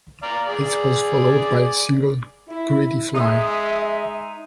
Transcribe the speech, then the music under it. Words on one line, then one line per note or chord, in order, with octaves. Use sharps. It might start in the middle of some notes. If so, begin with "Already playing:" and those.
This was followed by single "Greedy Fly".
D5 F5 A#5
G#4 D5
E4
G#3 D#4 E5 D#6